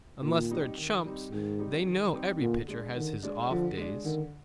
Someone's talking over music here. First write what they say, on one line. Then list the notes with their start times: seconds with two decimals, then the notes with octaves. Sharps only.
Unless they're chumps, they know every pitcher has his off days.
0.22 A#2 D#3
0.50 G3 C4 D#4 G4
0.77 D#3
1.04 G3 C4 D#4 G4
1.31 G#2 D#3
1.59 G3 C4 D#4 G4
1.87 D#3
2.13 G3 C4 D#4 G4
2.41 A#2 D3
2.68 G#3 D4
2.96 D3 D#3
3.23 G#3 D4
3.50 D3 F3
3.77 G#3 D4
4.05 D3 D#3